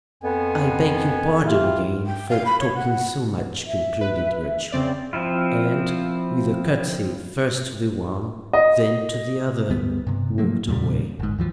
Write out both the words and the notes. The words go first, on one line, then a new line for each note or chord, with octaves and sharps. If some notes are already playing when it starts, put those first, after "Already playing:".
"I beg your pardon again for talking so much," concluded Rachel, and, with a courtesy first to the one then to the other, walked away.
F2 B3 G#5
E4 F4 G4
G5
F5
B5
C#5
F#5
E5
B4
C#3 C4 D5
F3 C4 E4 F4
D#5
D2 G2 G3 B3
G2 C3
F3 F#3 A3 A#3
E2 A#2 C#3 G3
G1 G#2
D#2 E3 F3